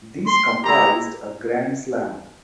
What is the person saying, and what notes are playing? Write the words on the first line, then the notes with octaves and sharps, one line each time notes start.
These comprised a Grand Slam.
C6
G#3 E4 G4 A#5